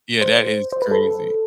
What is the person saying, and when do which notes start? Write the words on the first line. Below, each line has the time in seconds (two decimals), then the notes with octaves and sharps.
Yeah, that is crazy.
0.21 C5
0.72 C5
0.82 B4
0.91 A4